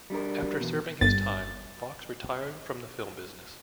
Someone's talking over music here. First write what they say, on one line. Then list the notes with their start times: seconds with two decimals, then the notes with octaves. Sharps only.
After serving his time, Fox retired from the film business.
0.10 G3 D4 A#4
0.60 E2 B2
1.01 G1 A6